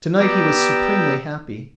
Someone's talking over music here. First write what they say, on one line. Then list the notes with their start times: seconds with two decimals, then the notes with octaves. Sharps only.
To-night he was supremely happy.
0.19 B3 G4 D5 G5 A#5 E6